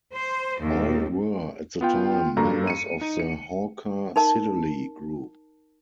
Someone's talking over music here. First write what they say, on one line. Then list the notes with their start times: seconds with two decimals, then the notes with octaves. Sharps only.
All were, at the time, members of the Hawker Siddeley Group.
0.14 C5
0.61 D#2
1.81 B3 F4 G5
2.37 G2 A#3 F#4 A4 A#5
2.67 C#7 D#7
3.01 D#4
3.20 C#7
4.16 D#4 A#4 A5